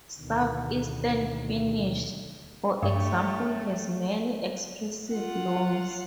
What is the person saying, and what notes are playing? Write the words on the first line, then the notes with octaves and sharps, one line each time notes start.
South-eastern Finnish, for example, has many expressive loans.
D2 B2 D3 D#3
G2 A3 G4 C#5
F4 F#5